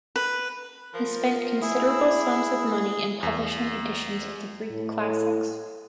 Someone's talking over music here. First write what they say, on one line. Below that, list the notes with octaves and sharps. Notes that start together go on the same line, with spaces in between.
He spent considerable sums of money in publishing editions of the Greek classics.
B4
F3 A#4
E4 G#4
E2
A2